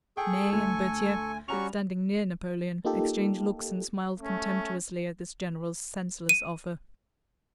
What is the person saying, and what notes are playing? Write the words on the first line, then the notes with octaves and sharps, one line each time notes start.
Ney and Berthier, standing near Napoleon, exchanged looks and smiled contemptuously at this general's senseless offer.
G#4 A4 G5 C#6
D2 A3 G#5
G3 C#4 F#4 A#5 C#6 F7
A#3 D#4 F4 G4 A4
A3 C#4
D#7